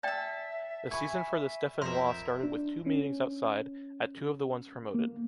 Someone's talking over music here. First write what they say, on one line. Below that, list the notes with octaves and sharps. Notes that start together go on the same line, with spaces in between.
The season for the Stéphanois started with two meetings outside, at two of the ones promoted.
D5 E5 G5 A5 E6
G#5 B5 C#6
F2 A#4 C5 E5 C6
D4
C#4
A#3